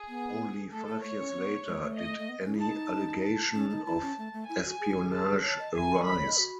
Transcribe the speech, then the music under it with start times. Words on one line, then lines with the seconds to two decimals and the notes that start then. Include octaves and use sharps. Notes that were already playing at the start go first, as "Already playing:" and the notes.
Only five years later did any allegation of espionage arise.
Already playing: G#4
0.08 B3
0.72 A3 A4
0.87 A3
1.03 A3 C#5
1.19 C#4
1.35 B3
1.66 G#3
1.82 A3
1.98 D#5
2.18 A3
2.29 B3
2.40 B3
2.44 C#4
2.55 E4
2.60 D#4 A5
3.23 A5
3.54 C#4
3.70 D#4
3.86 E4 A5
4.02 C#4
4.18 A3
4.33 A3
4.49 E4 G#5
4.65 F#4
4.80 G#4
4.91 E4
4.96 F#4
5.06 A4
5.12 G#4 A5
5.27 G#4
5.43 C#5 A5
5.59 D#5
5.75 E5 G#5
6.06 D#5 B5
6.16 C#5
6.27 D#5
6.38 F#4